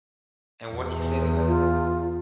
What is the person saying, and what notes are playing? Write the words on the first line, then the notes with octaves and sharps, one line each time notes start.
And what did he say to that?
E2
F4